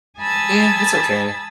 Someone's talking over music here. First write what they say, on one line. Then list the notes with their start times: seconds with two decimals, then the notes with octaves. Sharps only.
Yeah, it's okay.
0.18 G#5 A5 B5 D#6 E6 A6